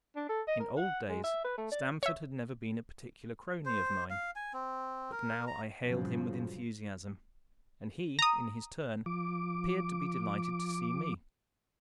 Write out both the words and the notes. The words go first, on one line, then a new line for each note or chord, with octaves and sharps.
In old days Stamford had never been a particular crony of mine, but now I hailed him with enthusiasm, and he, in his turn, appeared to be delighted to see me.
D4
A4
D#5
A#4
F#5
G#3
E5
B4
A3
D5
C#5 E5
C5
F5
G#5
C4
A#4
A#5
G2 A#2 C#3 F3 F#3
A#5 D#6
F3 D6